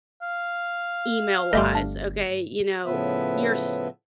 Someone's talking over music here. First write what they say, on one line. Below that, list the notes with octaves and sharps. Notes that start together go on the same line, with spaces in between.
email-wise, okay, you know, you're s
F5
G1 G3 A3 D#5 E5 C6
D4
A2 C#3 F3 B3 B4 E5